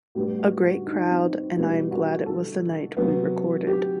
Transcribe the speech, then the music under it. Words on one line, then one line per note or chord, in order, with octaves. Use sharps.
A great crowd and I am glad it was the night we recorded.
A2 G3 B3 G4
F#4
F#4
D#4
C4
B2 G3 B3 E4
F#4
A4
C3 F#3 B3
G4